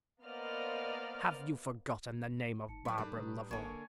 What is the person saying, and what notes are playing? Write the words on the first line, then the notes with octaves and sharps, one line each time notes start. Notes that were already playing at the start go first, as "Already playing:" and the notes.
"Have you forgotten the name of Barbara Lovel?"
A#3 B3 C5 D5 D#5 F6
G1 D#4 A5 C#7
A#2 F#3 A3 B4 D#5 B5
A2 G3 D4 D#4 A4 A#4
B2 B4 A#5 D#6
G#1 D3 A#3 C#5 G#5 A5